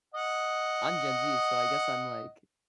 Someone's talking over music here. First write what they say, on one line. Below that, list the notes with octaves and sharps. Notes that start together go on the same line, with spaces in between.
I'm Gen Z so, I guess I'm like,
D#5 F#5